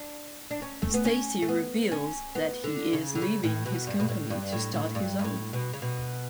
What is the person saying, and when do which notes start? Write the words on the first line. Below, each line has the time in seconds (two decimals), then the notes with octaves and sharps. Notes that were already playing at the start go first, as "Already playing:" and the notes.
Stacy reveals that he is leaving his company to start his own.
Already playing: D4
0.51 D4
0.62 C#4
0.82 A3
0.94 B3
1.05 C#4
1.42 A3
1.49 B3
1.92 C#4
2.35 B3
2.64 D3
2.93 C#3
3.15 D3
3.22 C#3
3.44 A2
3.66 B2
3.87 G2
4.00 B2
4.09 A2
4.30 G2
4.52 A2
4.74 A2
4.95 G2
5.19 G2
5.25 A2
5.53 B2
5.73 C#3
5.82 B2